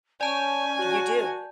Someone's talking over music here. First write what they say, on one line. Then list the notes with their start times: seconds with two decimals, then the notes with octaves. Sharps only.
You do.
0.21 C#4 D5 G#5 A5 G6
0.79 F#4